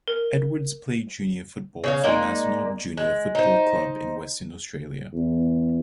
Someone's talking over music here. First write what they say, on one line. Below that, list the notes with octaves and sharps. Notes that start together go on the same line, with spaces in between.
Edwards played junior football for Mazenod Junior Football Club in Western Australia.
A#4
C#3 C#5 F5
G#3 A#3 D#4 D5
G#3
D#4 C5
E2